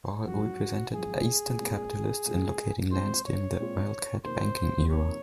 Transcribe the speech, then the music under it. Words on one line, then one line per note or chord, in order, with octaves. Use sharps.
Ball represented eastern capitalists in locating lands during the "wildcat banking" era.
G#1 F#2 F3 F#4
G#1 F#2 F3 G#4
A#2 G#3 C4 F4
A#2 G#3 C4 F4
A#2 G#3 C4 F4 C5
C#5
A#2 G#3 C4 F4
F2 C3 D#3 A#3 C5
F2 C3 D#3 A#3 C#5